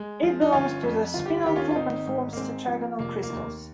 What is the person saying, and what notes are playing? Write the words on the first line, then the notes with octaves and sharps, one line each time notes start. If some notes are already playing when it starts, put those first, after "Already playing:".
It belongs to the spinel group and forms tetragonal crystals.
Already playing: G#3
F3
D#4
G1 C#4 F4
F2
G1 F4
G4
F4
D#3 G4
C#4 F4
F4
G#1 C4 D#4
G#2
A#3
G#3 C4
F3
F1 A#3
A#3
D#2